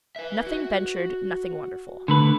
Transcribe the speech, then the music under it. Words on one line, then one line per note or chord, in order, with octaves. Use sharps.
Nothing ventured nothing wonderful.
B4 E5
F#4
D3 A3 B4